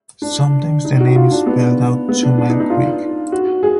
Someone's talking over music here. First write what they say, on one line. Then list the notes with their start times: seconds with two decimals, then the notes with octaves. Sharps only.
Sometimes the name is spelled out "Two Mile Creek".
0.22 D4
0.85 D#4
1.00 F#4
1.16 F4
1.31 D4
1.46 B3
2.09 B3
2.23 D4
2.38 D4
2.50 D#4
2.60 D#4
2.70 F4
3.32 F#4
3.63 G#4